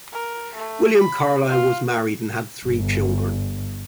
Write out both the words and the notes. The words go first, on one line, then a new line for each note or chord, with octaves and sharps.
William Carlisle was married and had three children.
A#4
A3
B5
F4
G1